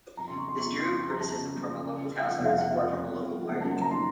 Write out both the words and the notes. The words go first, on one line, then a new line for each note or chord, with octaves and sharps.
This drew criticism from a local councillor and support from a local lawyer.
F2 A#5
C#3 C6
C#6
F3 C6
F2 C#6
C#3
C6
F3
F2 C6
A#5
F2
A5
F3
C#3
F#1
F3
C#3
C#3
C#3
F5
F3 F#5
F1
F5
F3
F#5
F3 F5
F2
F2
F2
F2
F2
F#1 F#5
F#2 A5
A5
F#1 A#5
D#3 C6